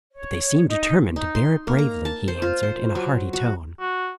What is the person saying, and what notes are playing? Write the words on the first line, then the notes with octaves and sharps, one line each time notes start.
"But they seem determined to bear it bravely," he answered, in a hearty tone.
C#5
D#4
D#4
C6
A#3
A#5
A5
C5
F4
C5
F#3
F#4
F#4